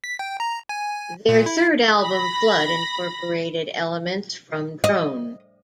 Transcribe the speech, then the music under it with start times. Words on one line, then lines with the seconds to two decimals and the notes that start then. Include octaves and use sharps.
Their third album "Flood" incorporated elements from drone.
0.04 B6
0.19 G5
0.40 A#5
0.69 G#5
1.29 A#2
1.46 E4
1.99 B5 A#6
4.84 D#5